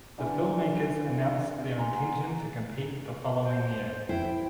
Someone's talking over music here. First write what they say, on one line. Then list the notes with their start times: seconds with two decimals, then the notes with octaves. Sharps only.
The filmmakers announced their intention to compete the following year.
0.18 D3 E3
1.78 F#5 G#5 A#5 C6
3.44 C5
4.09 E4 B4 C5 G5